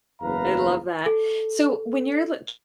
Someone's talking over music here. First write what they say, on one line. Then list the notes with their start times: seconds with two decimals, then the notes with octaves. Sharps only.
I love that. So when you're, like,
0.21 F#1 E2 B4 F5 A#5
1.06 A4